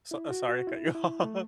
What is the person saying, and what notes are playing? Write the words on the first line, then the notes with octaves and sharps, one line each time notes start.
So, uh, sorry, cut you off.
E4
F#4
F#4
E4
E4
A3